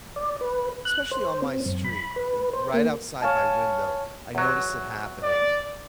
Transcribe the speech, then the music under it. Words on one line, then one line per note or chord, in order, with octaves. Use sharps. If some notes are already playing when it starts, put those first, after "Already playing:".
especially on my street, and right outside my window, I notice it happening-
D5
B4
F#6
C5
C4
F#2
B5
B4
C5
A#3
C#5 F5 G#5 A5
E2 F#3
D5